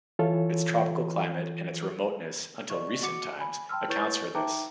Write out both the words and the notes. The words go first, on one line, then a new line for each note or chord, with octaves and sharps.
Its tropical climate and its remoteness until recent times accounts for this.
E3 F4 A4 C#5
D5 D#5 C#6
F#4 F#5 D6 C#7
G#5 B5
G5 A5 C6 E6 F6
E4 B4 C#5 C#6 G6 A6
D#4 E5 G5 A5 A#5 D6